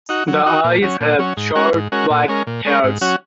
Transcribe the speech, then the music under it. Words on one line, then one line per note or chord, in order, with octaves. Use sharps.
The eyes have short black hairs.
D#4 F#4
F#3
D#4 F#4
A#2
F#3 C#4
A#2
F#3 C#4
G#2
G#3 C#4 F#4 A#4
G#2
G#3 C#4 F#4 A#4
A#2
G#3 C#4 A#4
A#2
G#3 C#4 A#4
G#2
F#3 C#4 F#4